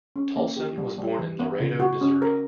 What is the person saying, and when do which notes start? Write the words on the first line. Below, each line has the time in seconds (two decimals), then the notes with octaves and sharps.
Tolson was born in Laredo, Missouri.
0.16 C#4
0.37 A#3
0.56 G4
0.78 G3
0.98 G3
1.19 E3
1.39 B3
1.60 C#3
1.80 F#4
2.01 C#4
2.22 A#4